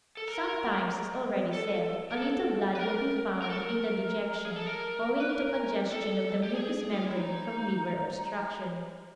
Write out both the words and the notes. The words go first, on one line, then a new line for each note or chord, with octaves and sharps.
Sometimes, as already said, a little blood will be found in the dejection, owing to congestion of the mucous membrane from liver obstruction.
A4
A#4
A4
A#4
A4
B4
A#4
A#4
A4
A#4
G#4
A4
A#4
B4
A#4
A4
G4
G#4
F4
E4
D#4